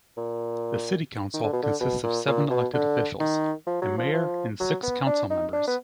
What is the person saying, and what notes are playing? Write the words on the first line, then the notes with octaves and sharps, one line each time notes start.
The City Council consists of seven elected officials-a mayor and six council members.
A#2
D#3
D3
B2
D3
B2
A#2
A#2
B2
D3
D#3
F3
F#3
F3
F3
F#3
B3
D4
D#4
D4
B3